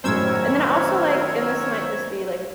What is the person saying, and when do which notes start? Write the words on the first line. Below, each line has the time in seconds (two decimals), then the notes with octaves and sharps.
Yeah. And then I also, like, and this might just be, like,
0.04 F#2 A2 D#3 A#4 C5 C#5 E6 G#6